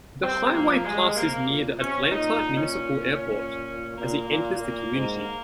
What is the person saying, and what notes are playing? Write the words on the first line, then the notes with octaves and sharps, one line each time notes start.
The highway passes near the Atlanta Municipal Airport as it enters the community.
G3 C4
F3 A#3
G3 G#3
C3 A#3
A#2
C3 C#4
A#2 D#4
C#4
A#2 A#3
A#2
A#2
G#2